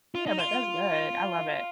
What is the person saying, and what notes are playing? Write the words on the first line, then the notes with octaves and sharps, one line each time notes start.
Yeah, but that's good, I love it.
F4
D#4
F4